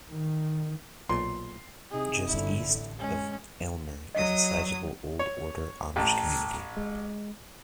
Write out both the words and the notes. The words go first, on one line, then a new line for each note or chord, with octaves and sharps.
Just east of Aylmer is a sizable Old Order Amish community.
D#3
B1 A#2 C6
C3 D#4 G#4
G1 D3 E4
A1
G#3 C#4
F#3 D#5 D#6
C#5
A1 G5 A5 A#5
G#3